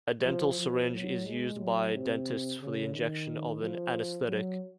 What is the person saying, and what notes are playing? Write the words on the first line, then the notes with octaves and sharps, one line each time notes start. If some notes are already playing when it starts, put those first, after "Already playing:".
A dental syringe is a used by dentists for the injection of an anesthetic.
F3
F3
F#3
G#3
F#3
C3
C#3
D#3
F3
F#3